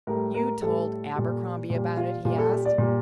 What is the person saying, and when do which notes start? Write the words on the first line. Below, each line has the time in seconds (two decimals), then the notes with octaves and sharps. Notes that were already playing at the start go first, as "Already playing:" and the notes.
"You told Abercrombie about it?" he asked.
0.07 A2 G3 A#4
0.34 A#4
0.62 A2 G3 A4
1.15 A#2 G3
1.70 A#2
1.75 G3
1.97 F4
2.25 A#2 G3 F4
2.38 A4
2.51 G4
2.65 D5
2.78 A#2 G3